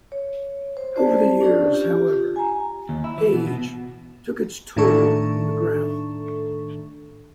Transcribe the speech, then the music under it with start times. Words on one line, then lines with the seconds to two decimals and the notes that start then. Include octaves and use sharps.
Over the years, however, age took its toll on the ground.
0.12 C#5
0.77 C5
0.96 C5 D5 A5
1.41 C#4 D4 G4 D5
1.72 F4 G4
2.36 G#5 A#5
2.89 D#2
3.04 E4
3.18 E3
3.33 B2
3.47 B2
4.77 A2 D#3 D4 A4 C#6